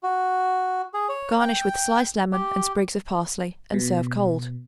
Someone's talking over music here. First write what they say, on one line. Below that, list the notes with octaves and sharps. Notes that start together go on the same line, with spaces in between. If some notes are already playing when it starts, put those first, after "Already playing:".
Garnish with sliced lemon and sprigs of parsley and serve cold.
F#4
G#4
C#5
G5
G4
B2